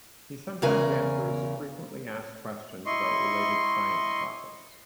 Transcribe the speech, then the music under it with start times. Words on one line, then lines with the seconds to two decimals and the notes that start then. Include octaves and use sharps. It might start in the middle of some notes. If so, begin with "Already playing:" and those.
He sometimes answers frequently asked questions about related science topics.
0.62 E2 C#3 A#4 G#5
2.86 E4 D#5 C6 C#6